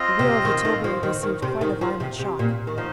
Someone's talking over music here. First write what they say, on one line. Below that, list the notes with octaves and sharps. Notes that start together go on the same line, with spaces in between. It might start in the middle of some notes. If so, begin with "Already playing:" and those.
The wheel of the tilbury received quite a violent shock.
Already playing: C4 F4 D#5
C3
D#3
D#3
F3
D#3
D#3
C3
D#3
F3
C3
C3
A#2
D#3
F3 D#4